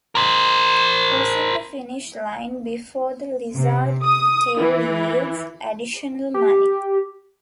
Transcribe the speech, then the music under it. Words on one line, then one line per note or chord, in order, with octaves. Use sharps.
Crossing the finish line before the Lizard Tail yields additional money.
A#4 C5
C3
D#6
E3
G4